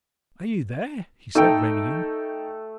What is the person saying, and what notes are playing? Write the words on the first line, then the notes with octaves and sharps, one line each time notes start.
"Are ye there?" he said, reining in.
A3 D#4 A4 G5